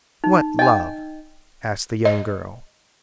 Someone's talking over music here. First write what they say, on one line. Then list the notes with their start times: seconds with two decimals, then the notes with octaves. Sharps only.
"What love?" asked the young girl.
0.24 D#4
0.59 D#5 G5 G#5
2.05 D#5